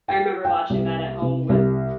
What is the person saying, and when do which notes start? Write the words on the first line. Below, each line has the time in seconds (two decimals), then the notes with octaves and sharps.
I remember watching that at home with,
0.08 G5
0.45 G5
0.70 C2
1.22 C3
1.49 C2